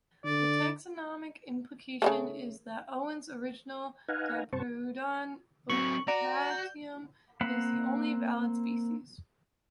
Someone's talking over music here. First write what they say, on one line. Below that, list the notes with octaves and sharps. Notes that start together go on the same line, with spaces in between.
The taxonomic implication is that Owen's original "Diprotodon optatum" is the only valid species.
D3 D5
C#3 G3 A3
D#4 B4 F5 F#5 G#5 A#5
G2 C3 C4 C5 A5 C#6
F#3 C4 C#6 F#7
F#4 D5 A#5
G6
A#3 C4 F5 F#5 B5